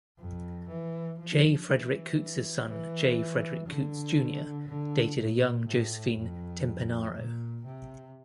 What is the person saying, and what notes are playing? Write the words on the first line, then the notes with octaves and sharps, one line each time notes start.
J. Frederick Coots' son, J. Frederick Coots Junior dated a young Josephine Timpenaro.
F2
E3
F3
E3
E3
D3
D3
A#2
A2
F2
A#2
C3